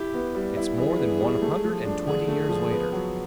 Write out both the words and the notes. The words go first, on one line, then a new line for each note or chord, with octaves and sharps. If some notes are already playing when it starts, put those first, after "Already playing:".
It's more than one hundred and twenty years later.
Already playing: E4 G4
B3
G3
E4
E3 G#4
B3
G3
A3
F3
D4
D3 G#4
A3
F3
B3
F#3